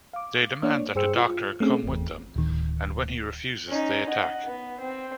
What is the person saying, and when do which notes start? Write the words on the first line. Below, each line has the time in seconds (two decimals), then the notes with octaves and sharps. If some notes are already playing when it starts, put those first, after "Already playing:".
They demand that the Doctor come with them, and when he refuses they attack.
0.13 F5 D6
0.63 A#3 D4 C#5 D5
0.95 G2 G#4 C5 G5 E6 C#7
1.16 F4
1.60 A3 C4 C#4 G#4
1.83 G1 E2
2.36 D1 D#3
3.68 C#4 D#4
4.09 D#5 F#5
4.46 B3
4.80 C4